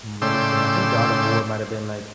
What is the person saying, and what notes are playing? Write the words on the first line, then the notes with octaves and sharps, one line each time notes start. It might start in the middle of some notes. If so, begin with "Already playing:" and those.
mm, lemme think I think God of War might have been, like
A2 C#3 D5 G5 C6 E6